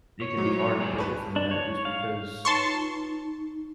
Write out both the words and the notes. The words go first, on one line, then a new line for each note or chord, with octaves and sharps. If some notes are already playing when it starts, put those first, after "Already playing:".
It can be hard to pivot from that just because,
C#5
G#2 F#3
G3 G#4
B4 A5 C#6
D4
C#5
F5
D#4 B4 C#5 A5 C6 C#6
D#4 F4 A#5
D#4